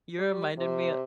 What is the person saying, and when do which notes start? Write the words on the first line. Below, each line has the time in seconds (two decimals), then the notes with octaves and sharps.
You reminded me, uh
0.19 G3
0.58 C3